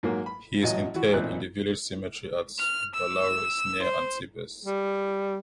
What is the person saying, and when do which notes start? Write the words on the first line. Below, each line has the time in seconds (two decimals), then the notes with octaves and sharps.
He is interred in the Village cemetery at Vallauris, near Antibes.
0.03 G#2 F#3 A#3
0.26 B5
0.63 A1 F#3 D#5
0.94 E3 F#4
1.12 A1 A#2 E3 C4 D#4 F#6
2.59 F6
2.93 E6
3.80 C5
4.65 G3